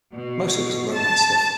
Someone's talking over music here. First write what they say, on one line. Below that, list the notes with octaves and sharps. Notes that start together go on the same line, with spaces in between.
Most of it was the romance stuff.
B2
A5